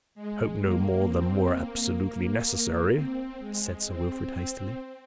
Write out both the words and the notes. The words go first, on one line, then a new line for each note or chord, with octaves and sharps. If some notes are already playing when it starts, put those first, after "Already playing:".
"I hope no more than were absolutely necessary!" said Sir Wilfrid, hastily.
G#3
A#3
C4
A#3
A#3
C4
G#3
C4
C4